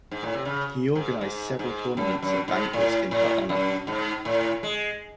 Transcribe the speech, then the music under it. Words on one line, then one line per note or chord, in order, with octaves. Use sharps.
He organized several tournaments and banquets in her honor.
G#2
A2
C3
C#3
G#2
G#2
G#2
F#2
F#2
G#2
A2
A2
F#2
G#2
A2
G#3